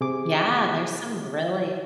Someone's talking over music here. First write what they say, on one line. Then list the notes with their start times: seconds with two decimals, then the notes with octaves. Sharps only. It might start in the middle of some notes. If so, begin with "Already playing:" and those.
Yeah, there's some really
0.01 C3 G#4 D6